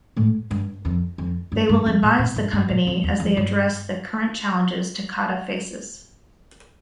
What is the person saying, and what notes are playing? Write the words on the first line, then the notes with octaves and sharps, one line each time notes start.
They will advise the Company as they address the current challenges Takata faces.
A2
G2
F2
F2
G2
G2
F2
A2
A#2
G2
G2
A#2
F2
E2
F2
G2